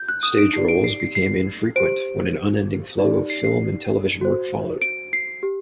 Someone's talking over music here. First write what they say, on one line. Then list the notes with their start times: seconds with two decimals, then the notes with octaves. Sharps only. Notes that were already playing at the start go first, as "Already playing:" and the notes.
Stage roles became infrequent when an unending flow of film and television work followed.
Already playing: G6
0.09 F#6
0.23 D#6
0.38 D7
0.53 D#4 G4 D5 C7
0.69 D7
0.84 C7
1.00 C7
1.15 C7
1.76 G4 C5 D7
2.99 D#4 G4 D5
3.30 C7
3.44 C7
4.21 F#4 C5
4.82 D7
5.13 C7
5.43 G4